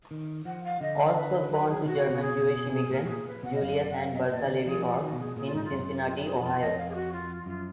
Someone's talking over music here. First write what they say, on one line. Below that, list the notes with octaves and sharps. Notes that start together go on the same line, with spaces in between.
Ochs was born to German-Jewish immigrants, Julius and Bertha Levy Ochs, in Cincinnati, Ohio.
D#3
F3 F#5
F5
D3 D#5
F5
B4
F#3 B4
G#4
F4
D#3 F#4
D3
B2
G#4
A#2 A#4
F#4
A#2 G#4
B4
B2 F#5
D#5
F#2 F5
D5
F#5
F5
D#5
D#5
A#2 D5
D3
F3 G#4
F4
D#3 F#4
B2
G#4
B2
A#2 G#4
F4
G#2 D#4
F4
F#2
F4
B4
G#4
F#4
F2 F4
F2 D#5
F5
G#4
F#4
F4
F#2 F4